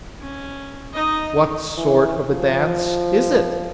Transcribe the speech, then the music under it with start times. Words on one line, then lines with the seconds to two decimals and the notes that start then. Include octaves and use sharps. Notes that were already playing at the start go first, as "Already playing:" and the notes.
'What sort of a dance is it?'
0.21 C#4
0.93 D#4 D#5
1.78 E3
2.30 F3